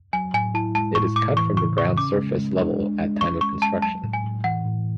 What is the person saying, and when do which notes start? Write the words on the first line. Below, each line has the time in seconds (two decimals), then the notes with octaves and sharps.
It is cut from the ground surface level at time of construction.
0.13 F#3 G#5
0.34 A2 G#5
0.54 E4 A5
0.75 G#3 A5
0.95 A2 C#6
1.16 A2 D6
1.37 E3 C#6
1.57 C#3 C#6
1.77 C#3 C#6
1.98 C#4 D6
2.19 G#3
2.39 G#3
2.60 D4
2.80 G#3
3.00 G#3
3.21 C#4 C#6
3.41 G#3 C#6
3.62 G#3 A5
3.82 F#3 A5
4.03 A2
4.13 G#5
4.24 A2
4.44 E3 F#5
4.65 A2